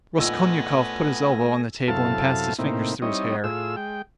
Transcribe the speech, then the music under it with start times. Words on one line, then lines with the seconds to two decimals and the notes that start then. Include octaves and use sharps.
Raskolnikov put his elbow on the table and passed his fingers through his hair.
0.18 A#1 A3 B3 D#4 G#5 E6 A#6
1.88 F#2 C3 E4 A4 F5 A5
2.59 A2 C3 A#3 C4 D#4 E4
3.02 G3 C4 D#4 E4 C#5 D#5
3.44 A2 F4 G#4 E6
3.76 G#3 G5